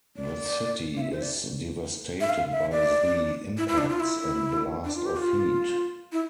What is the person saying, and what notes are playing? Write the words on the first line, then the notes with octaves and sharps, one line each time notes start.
The city is devastated by the impacts and blast of heat.
D5
F5
E5
C5
D5
E5
F5
E5
D5
E4
E4
D4
F4
E4
D4
F4
G4
F4
E4